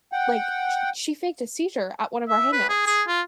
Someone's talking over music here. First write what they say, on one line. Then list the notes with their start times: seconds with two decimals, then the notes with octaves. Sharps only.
like, sh she faked a seizure at one of our hangouts,
0.12 F#5 G5
2.29 E5
2.52 B4
2.69 G#4
2.86 G#4
3.08 F4